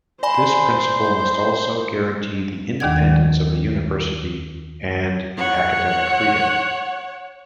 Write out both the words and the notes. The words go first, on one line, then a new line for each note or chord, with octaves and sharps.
This principle must also guarantee the independence of the university and the academic freedom.
C5 D5 G#5 B5
D#2 D#3 D4 D5 F#5 G#6
C#5 F#5